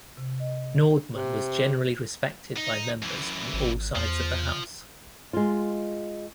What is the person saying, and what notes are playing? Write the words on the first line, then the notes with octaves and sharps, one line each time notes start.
Nordman was generally respected by members on all sides of the house.
C3
D#5
C3
D#4
F#2 E3
G#1
E2 F3
G#3 F4